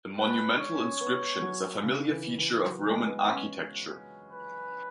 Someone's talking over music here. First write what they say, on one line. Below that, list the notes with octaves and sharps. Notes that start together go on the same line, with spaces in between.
The monumental inscription is a familiar feature of Roman architecture.
G#3 B4
C#5
C#4
B3
F#3
C#3
E3
E3
F#3
G#3
B3
C#4
B4